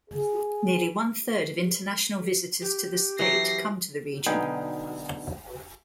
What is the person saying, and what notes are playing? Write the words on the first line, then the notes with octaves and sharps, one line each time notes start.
Nearly one third of international visitors to the state come to the region.
G#4
G4
E3 F#3 A#6 C7
B1 D3 B3 D#4 G5 G#5